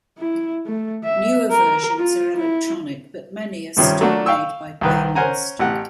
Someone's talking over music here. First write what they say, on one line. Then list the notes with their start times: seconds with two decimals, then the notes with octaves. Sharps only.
Newer versions are electronic, but many are still made by PayMaster.
0.18 E4
0.66 A3
1.04 E5
1.51 A#4
1.98 F4
2.35 E4
3.77 G2 C3 D#3 F3 G3 C#4
4.00 F#3 A3 A#3 D4 F#4
4.26 F5 G5 C#6 E6
4.81 C2 D#3 B4
5.15 C#4 A#4 C5 F#5 G#5 A#5
5.59 A1 G4 F#5